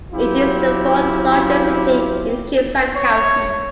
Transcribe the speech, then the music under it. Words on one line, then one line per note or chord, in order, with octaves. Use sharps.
It is the fourth largest city in Kitsap County.
F#3 C4 E4 F4 G4
C#5